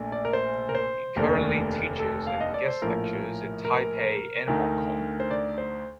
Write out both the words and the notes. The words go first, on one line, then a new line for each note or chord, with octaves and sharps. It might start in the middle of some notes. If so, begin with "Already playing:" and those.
He currently teaches and guest lectures in Taipei and Hong Kong.
Already playing: A#1 A#2 A3 D4
D5
A#4
C5
A#4
C5
F1 D#2 D3 A3 D4 A#4
A4
F5
D#5
D5
C5
A#1 A2 F3 A#4
A#4
D2 D3 A3 D#4 A#4
C5
D5
C5